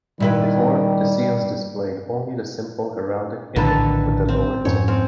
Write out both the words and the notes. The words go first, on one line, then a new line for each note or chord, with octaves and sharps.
Before, the seals displayed only the simple heraldic image with the lowered tip.
A#2 D#3 G3 E4 B4
A#1 A2 D3 D#3 A4 B4
C4
F2 G#2 C#4 C#5
C4